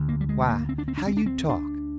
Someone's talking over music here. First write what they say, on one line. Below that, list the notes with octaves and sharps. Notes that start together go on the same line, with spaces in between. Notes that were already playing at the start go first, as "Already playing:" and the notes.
Why, how you talk!
Already playing: D2 D3
A#3
G3
G#3
A#3
C4
D4
C4
D4
C4
D4
C4
D4